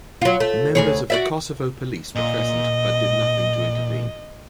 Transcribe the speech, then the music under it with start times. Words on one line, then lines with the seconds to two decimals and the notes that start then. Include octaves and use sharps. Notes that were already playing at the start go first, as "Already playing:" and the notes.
Members of the Kosovo Police were present but did nothing to intervene.
0.22 F#3 F4
0.40 A3
0.75 D2 G#4 C#5
1.10 F#4 D5 E5
2.15 A#2 D#5